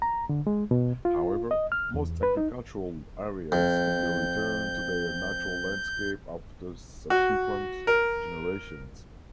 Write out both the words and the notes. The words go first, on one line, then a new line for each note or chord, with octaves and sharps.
However, most agricultural areas can be returned to their natural landscape after subsequent generations.
A#5
D3
G#3
B2
F4
D#5
F6
E2
B4
D#4
F2 G6
F#4
A#4